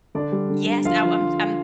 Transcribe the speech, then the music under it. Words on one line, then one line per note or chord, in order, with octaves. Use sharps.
Yes, I I'm I'm
D3 D4 D5
G3
D3
D3
F3 F4 F5
F3
D3
F4